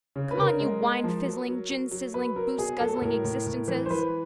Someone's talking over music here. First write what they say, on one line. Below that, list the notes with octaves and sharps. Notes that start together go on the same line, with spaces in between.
Come on you winefizzling, ginsizzling, booseguzzling existences!
C#3
B4
C#3 A#4
G#3
G#3
F3
F#3
F#3
F#3
F#3
F#3 B4
F#3 A#4
B2 G#4
F#3 A4
A4
A2 A#4
A2
A2
E3
C5
E3 B4